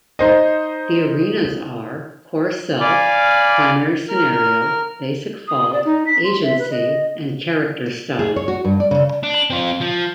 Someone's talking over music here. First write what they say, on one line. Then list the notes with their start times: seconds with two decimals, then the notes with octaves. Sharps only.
The Arenas are: Core Self, Primary Scenario, Basic Fault, Agency and Character Style.
0.19 D#4 C5 D#5
2.81 D5 F5 G#5 B5 D6 F6
4.09 A#4 F6
5.48 D#6
5.73 D5
5.85 D#4
6.06 B6
6.24 C6
6.42 E5
6.59 B4
6.70 D#5
8.19 G#4
8.36 C#5
8.48 F#4
8.64 G2
8.80 D5
8.91 C#3
9.24 D4
9.50 C4 F4
9.81 F3